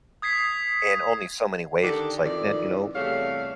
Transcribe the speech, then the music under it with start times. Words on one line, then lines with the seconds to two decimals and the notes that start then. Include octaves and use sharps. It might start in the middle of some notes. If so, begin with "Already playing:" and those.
in only so many ways, it's like, man, you know,
0.22 D#6 G#6 B6 C7
1.82 D3 D#3 D4 G4 A4
2.24 F2 D#3 E3 D5
2.94 E2 C3 G3 A3 C#5 F5